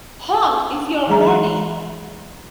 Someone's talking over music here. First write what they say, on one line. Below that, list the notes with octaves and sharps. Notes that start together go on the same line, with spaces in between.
Honk if you are horny!
E3 F#3 G#3 G#4 E5 A#5